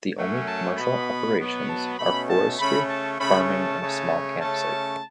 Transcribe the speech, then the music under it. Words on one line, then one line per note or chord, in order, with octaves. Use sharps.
The only commercial operations are forestry, farming and a small campsite.
F#2 F#3 A3 C#4
A5
B2 B3 B5
B2 F#3 B3
A5
B2 A3 C#4 B5
A5
C#3 A3 C#4 B5
A5
C#3 A3 C#4 B5
A5
C#3 A3 C#4
C#3 A3 C#4 A5